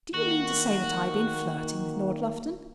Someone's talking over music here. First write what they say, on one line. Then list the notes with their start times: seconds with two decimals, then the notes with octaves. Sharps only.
"Do you mean to say that I have been flirting with Lord Lufton?"
0.14 D#3 A#3 F#4